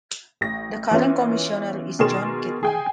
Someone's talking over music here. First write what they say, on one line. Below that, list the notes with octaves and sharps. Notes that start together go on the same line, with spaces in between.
The current Commissioner is John Kittmer.
A1 A#6
E3 B3 C#4 F4
B2 D#3 G#4 A#4 C6 E7
G#4 G5 G#5